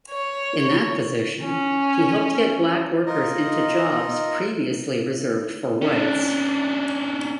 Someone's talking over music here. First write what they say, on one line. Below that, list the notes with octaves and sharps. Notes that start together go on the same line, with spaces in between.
In that position, he helped get black workers into jobs previously reserved for whites.
C#5
C#4
D#4 F4 A#4 D#5
C#4 D4